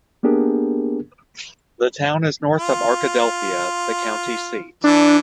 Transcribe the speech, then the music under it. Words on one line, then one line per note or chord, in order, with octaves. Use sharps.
The town is north of Arkadelphia, the county seat.
A#3 B3 D4 G4 G#4 A#4
F4
E3 D4